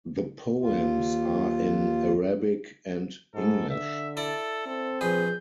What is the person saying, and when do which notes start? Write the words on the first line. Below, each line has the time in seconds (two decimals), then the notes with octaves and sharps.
The poems are in Arabic and English.
0.62 D#2 F4
3.35 G#2 A4
3.69 D3 E5
4.17 E4 A4 D5
4.67 C4 A4
5.01 A#1 G#4 B4 G6